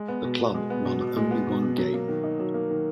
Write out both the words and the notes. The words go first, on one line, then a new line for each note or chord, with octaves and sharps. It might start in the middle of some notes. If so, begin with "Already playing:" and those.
The club won only one game.
Already playing: G#3
B3
B2
B2
G#3
B3
B2
B2
G#3
B3
B2
B2
F#3
A#3
D#3
D#4
F#3
A#3
D#3